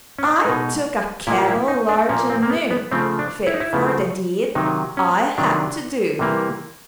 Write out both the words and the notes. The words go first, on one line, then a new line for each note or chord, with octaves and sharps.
I took a kettle large and new, Fit for the deed I had to do.
C#4
D4
B2 G#3 D#4
A#2 F3 A#3 E4
E4
D#4
D4
A#2 F3 A#3 C#4
C4
A#3
B3
B3
C#3 F3 A3 C4
D4
E4
D#4
E4
C#3 F3 A3
C3 D#3 F#3 D#4
C#4
C3 D#3 F#3 D4
C3 E3 G3 A#3